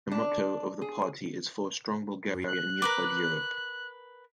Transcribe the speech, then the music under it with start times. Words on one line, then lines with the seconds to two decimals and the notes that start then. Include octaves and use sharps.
The motto of the party is "For a Strong Bulgaria in Unified Europe".
0.11 D4
0.82 G#4
2.47 F#6
2.82 A#4 B4 D6